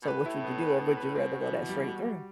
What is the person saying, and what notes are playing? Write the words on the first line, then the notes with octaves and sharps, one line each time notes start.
So, which would you do, or would you rather go that straight through?
B2
A2 B4
E4
B3
B4
B3
B4
B2 C4
F#4
E3
G3
F#4
G3